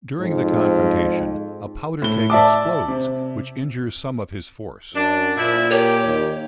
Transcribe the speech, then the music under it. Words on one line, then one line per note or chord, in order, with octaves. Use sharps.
During the confrontation, a powder keg explodes which injures some of his force.
F2 G#2
A2 G7
D5 E5 A5 D6
C3
F#2 D4
A#2 F3 A3 E4
G4 A#4 C#5
D#2